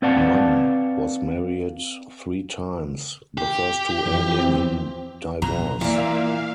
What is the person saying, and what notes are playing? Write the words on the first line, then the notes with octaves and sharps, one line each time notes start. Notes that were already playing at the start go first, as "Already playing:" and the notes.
Mann was married three times, the first two ending in divorce.
C4 B4 D5 F5 F#5 A5
G4
F2 E3
C4
F2 B2 A#5
A#2 E3 A#3 D5 E5 F5
F5